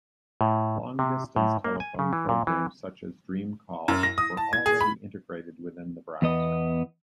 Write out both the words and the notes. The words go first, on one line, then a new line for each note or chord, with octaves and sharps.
Long-distance telephone programs such as Dreamcall were already integrated within the browser.
A2
C3
A2
A#3
G#5
C#3
E3
A#2
E3
F#2
A#6
D#6
A5
G#6
G#4
B5
E2 B3 D#5